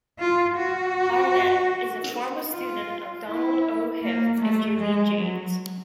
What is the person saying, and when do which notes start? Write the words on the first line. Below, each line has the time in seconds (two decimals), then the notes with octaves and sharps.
Harnad is a former student of Donald O. Hebb and Julian Jaynes.
0.19 F4
0.57 F#4
2.50 F4
3.26 E4
4.03 A#3
4.41 A3
4.79 G#3
5.18 F#3